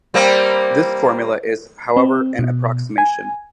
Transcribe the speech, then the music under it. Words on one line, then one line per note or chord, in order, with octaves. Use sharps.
This formula is however an approximation.
G3 A#3 C4
C4
B2
G#5